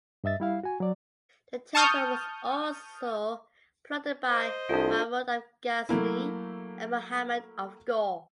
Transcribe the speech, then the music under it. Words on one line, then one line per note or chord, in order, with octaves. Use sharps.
The temple was also plundered by Mahmud of Ghazni and Muhammad of Ghor.
G2 D#5 E5 A6
G3 E4 F5
F#4 G#5
F#3 D5
A5 C#6 D#6 F6 G6
C5 D#5
C2 D4 F4 A4
F#3 A3 A#3 E4